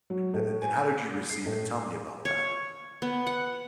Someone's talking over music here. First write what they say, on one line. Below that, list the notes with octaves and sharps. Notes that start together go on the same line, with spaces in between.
The and and how did you receive it? Tell me about that.
F#3
A2
G#5
C7
A2
C#5
B3
F#5